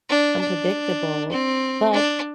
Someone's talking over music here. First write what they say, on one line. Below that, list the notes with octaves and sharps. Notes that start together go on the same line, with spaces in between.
unpredictable, but
D4
D4
C4
D4